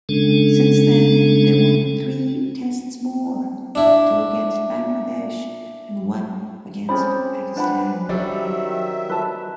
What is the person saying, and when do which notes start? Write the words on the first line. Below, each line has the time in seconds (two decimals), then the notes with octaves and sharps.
Since then they won three Tests more, two against Bangladesh and one against Pakistan.
0.09 C#3 G#3 C#4 D4 A4
3.75 D4 E4
6.89 C4 C#4 G#4 C5 D5 B5
7.56 D4 B4 F#5 B5
8.09 D#3 F#3 G3 D5 E5
9.10 B4 A5